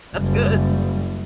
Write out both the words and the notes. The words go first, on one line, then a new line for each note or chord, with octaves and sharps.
That's good.
F#1 G3